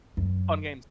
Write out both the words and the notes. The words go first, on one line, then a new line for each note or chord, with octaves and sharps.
Fun games.
F#2